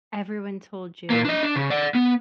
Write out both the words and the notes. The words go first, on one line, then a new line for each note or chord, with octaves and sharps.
everyone told you,
A#2 A#3
D4 D#5
D4
C#3
D5 F#5
B3